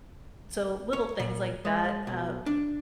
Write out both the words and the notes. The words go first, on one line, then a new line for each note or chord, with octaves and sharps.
so, little things like that, uh,
C#5
A#2
G#3
B1
D4